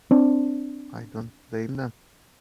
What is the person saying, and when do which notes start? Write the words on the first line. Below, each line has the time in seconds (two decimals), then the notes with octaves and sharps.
I don't blame them.
0.11 C4 D4